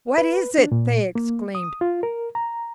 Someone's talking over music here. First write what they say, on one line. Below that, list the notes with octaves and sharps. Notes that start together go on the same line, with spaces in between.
"What is it?" they exclaimed.
B4
D4
A#2
A#3
D#6
F4
A#4
A#5